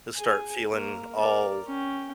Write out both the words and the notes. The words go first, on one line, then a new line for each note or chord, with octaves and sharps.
You'll start feeling all
G#4 G#5
A#3 A#4
A#4 D5
C#4 G5